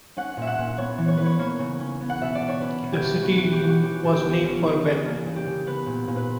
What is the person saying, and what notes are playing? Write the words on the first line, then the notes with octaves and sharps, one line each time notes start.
The city was named for Ben.
C#4 F#5
A#2 E5
F#5
A#2
B3 C#5
E3
C#5
E3 B4
C#5
A#3 C#5
C#3
C#4
B3
F#5
B2 E5
D5
B2
C#5
C#4 B4
B2
G4
B2
B3 F#4
F#4
E3
G4
E3
F#4
C#4 G4
B2
G4
B2
C#4
C#3
C#3
A#3
C#3
G4
C#3
B3 B4
A#2
A#2
B4